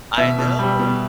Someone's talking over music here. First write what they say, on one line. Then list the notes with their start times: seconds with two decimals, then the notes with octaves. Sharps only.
I know.
0.18 B2 E5
0.38 B2
0.59 G3
0.79 B2